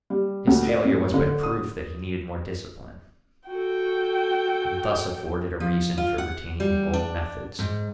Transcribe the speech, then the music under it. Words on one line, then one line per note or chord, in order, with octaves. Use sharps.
His failure was but proof that he needed more discipline, and thus afforded a reason for retaining the old methods.
G3
D2
D5
A1
D3
D#6
F#4 A4 G5
F3
F4
F#5
G3
D4
G#2